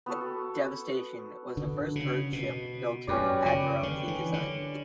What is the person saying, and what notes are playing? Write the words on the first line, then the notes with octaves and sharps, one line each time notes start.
"Devastation" was the first turret ship built to an Admiralty design.
B3 F#4 A4
D3
C#3
B2
F#2 C#4 G4 B4 D5
C#3
D3
E3
D3